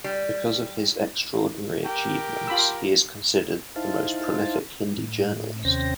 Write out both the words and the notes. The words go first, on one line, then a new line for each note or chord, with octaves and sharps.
Because of his extraordinary achievements, he is considered the most prolific Hindi journalist.
G3
G4 A#4 G5
F4 B5 E6
D#4 E4 C5 F5 A5
A2
D#2 C3 C#4 C5 G5 A#6